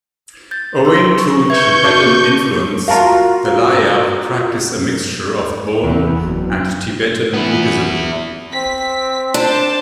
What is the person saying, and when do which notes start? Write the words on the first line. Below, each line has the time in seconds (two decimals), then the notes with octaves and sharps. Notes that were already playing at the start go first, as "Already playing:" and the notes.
Owing to Tibetan influence, the Layap practice a mixture of Bon and Tibetan Buddhism.
0.51 G6 A6
0.85 C6 E6
1.19 C#6
1.50 B4 E5 C#6 G6 G#6
1.84 F#4 A5 D6
2.88 F4 F#4 A#4 F5 A5 A#5
5.82 E2
6.21 F#1
7.34 B3 E4
8.53 C4 B6
9.34 D4 C5 A5